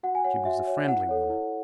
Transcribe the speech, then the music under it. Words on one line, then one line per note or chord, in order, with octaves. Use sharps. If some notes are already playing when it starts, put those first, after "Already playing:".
She was a friendly woman.
F#4 F#5
G#5
C#5 F#5
F#4 E5
C#5
E4 F#5
A4 C#5
E4